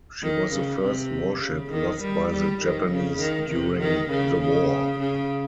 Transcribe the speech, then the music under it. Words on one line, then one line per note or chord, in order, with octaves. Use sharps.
She was the first warship lost by the Japanese during the war.
D#3
C#3
C3
C#3
D#3
G3
G3
D#3
C#3
D#3
C3
D#3
C#3
C#3
C#3